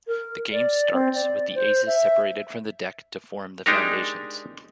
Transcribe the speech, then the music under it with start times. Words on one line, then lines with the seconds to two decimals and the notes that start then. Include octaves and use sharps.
The game starts with the aces separated from the deck to form the foundations.
0.08 A#4
0.52 D5
0.93 C4
1.15 D5
1.55 C5
1.87 E5
3.66 G#3 D4 D#4 G4 A#4